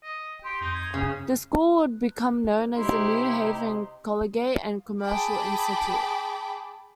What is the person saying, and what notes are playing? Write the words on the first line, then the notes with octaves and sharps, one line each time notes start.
The school would become known as the New Haven Collegiate and Commercial Institute.
D#5
G4 C6
F2 D#4
G#6
F#2 C#3
C3 D#4 E4 G4 C6
G#4 G5 A5 B5 D6